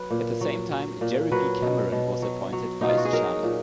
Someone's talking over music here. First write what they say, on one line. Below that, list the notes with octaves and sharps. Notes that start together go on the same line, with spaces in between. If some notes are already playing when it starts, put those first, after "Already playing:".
At the same time, Gerry B. Cameron was appointed vice chairman.
Already playing: F#3 B4
A#2
F#3
F#3
A#2
F#3 B4
B2
B2
F#3
F#3
B2 D#4
F4
F#4
G#4
F#3 A#4
A#2